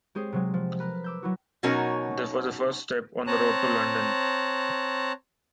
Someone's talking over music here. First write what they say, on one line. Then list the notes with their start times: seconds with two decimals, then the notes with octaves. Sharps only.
This was the first step on the road to London.
0.15 G#3 C4 G4 G#4 C5 C#5
0.32 C3 F#3 G#3
0.54 F3
0.80 A#4 B4
1.04 D6 E6 G6
1.22 F#3 E4 F#4
1.63 B2 F#3 C#4 D#4 F#4 A#4
3.27 C4 C#5 A5 A#5 F#6